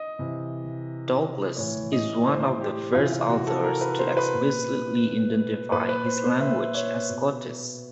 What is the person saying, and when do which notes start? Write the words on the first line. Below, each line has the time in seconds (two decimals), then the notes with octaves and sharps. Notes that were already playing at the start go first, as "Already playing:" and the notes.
Douglas is one of the first authors to explicitly identify his language as "Scottis".
Already playing: D#5
0.19 C3 E3
1.57 A2 E3 C#5
1.92 D#5
2.27 C5
2.61 G4
2.95 C3 E3 F4
3.12 F4
3.29 F#4
3.47 A4
3.64 A#4
3.81 B4
3.99 C5
4.17 B4
4.34 A#2
5.72 A#2 B4
5.89 B4
6.06 C5
6.24 C5
6.40 E5
6.75 C#5
7.09 B2